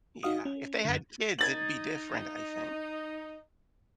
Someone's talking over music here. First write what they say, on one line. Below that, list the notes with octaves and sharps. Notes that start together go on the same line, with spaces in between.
Yeah. If they had kids, it'd be different, I think.
D#4 F#4 F5 D#6
C#4
F#2 D3
D#4 G#6 A6 F#7